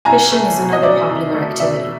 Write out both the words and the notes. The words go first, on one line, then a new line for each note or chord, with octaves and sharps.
Fishing is another popular activity.
C2 G#5 A#5
A3
B2
D#5
F#3 D5 E5
C2
A3
B2 D5 E5